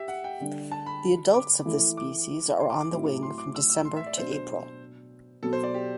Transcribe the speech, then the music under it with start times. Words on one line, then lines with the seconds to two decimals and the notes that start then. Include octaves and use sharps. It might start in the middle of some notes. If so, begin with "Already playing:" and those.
The adults of this species are on the wing from December to April.
Already playing: G4 E5
0.08 F#5
0.24 G5
0.40 D3 G3 D4
0.72 A5
0.86 B5
1.34 D6
1.65 E3 A3 E4
1.97 D6
2.60 C6
2.70 D6
2.80 D6
2.92 A2 F#3 C4 E4
3.23 C6
3.38 D6
3.55 E6
3.70 E6
3.85 C6
3.97 E5
4.07 D5
4.17 B2 F#3 B3 D4 C5
4.32 C5
5.43 B2 F#3 B3 A4
5.53 C5
5.63 D5
5.74 G4